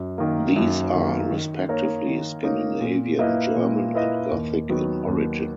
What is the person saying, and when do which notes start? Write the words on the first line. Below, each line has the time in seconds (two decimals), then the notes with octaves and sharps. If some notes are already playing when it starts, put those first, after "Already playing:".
These are, respectively, Scandinavian, German, and Gothic in origin.
Already playing: F#2
0.18 D#3 A#3
0.56 F#2
0.93 D#3 A#3
1.31 D#3
1.69 A#3 D#4 A#4 C#5
2.06 D#3
2.43 A#3 D#4 A#4 C#5
2.81 A#2
3.19 A#3 E4 B4 D#5
3.56 A#2
3.94 A#3 E4 B4 D#5
4.31 D#2
4.69 D#3 F#3 B3
5.07 D#2